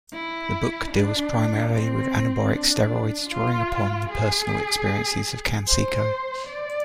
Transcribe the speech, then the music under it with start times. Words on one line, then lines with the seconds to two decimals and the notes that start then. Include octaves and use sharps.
The book deals primarily with anabolic steroids, drawing upon the personal experiences of Canseco.
0.13 E4
0.92 D4
1.72 C4
2.51 D4
3.29 F4
4.09 G#4
5.68 C5
6.47 D5